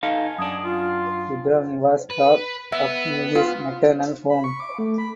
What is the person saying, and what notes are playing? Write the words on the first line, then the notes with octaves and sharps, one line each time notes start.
Ibrahim was brought up in his maternal home.
D#4 A4 F5
G#5
F#2 D4 D#6
F4
B4
B3 E5
F4
B5
C#6
D6
A3
B5